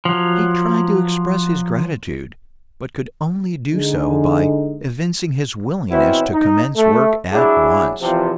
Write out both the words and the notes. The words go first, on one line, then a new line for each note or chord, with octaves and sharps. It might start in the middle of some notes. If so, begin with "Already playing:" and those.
He tried to express his gratitude, but could only do so by evincing his willingness to commence work at once.
F3 F#3
D3 G#3 D#4
B2 E3 C4 C#4 E4 F#4
D#4
A3
F#3 D4 E4 G#4
E2 C3 F3